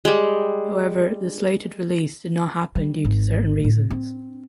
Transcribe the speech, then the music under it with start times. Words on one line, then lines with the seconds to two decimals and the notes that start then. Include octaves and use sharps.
However the slated release did not happen due to certain reasons.
0.05 G3 G#3
2.76 G3
3.05 G#1
3.64 A2
3.90 C4